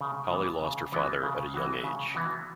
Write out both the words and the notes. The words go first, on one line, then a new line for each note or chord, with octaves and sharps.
Holly lost her father at a young age.
C#3
E3 B3 F#4
C#3
E3 B3 F#4
C#3
E3 B3 F#4
C#3
E3 B3 F#4